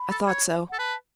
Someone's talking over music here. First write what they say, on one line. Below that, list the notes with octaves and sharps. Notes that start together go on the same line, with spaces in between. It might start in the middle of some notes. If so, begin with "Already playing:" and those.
I thought so.
Already playing: B5
A4
C#5
A4 F#5
B4 A5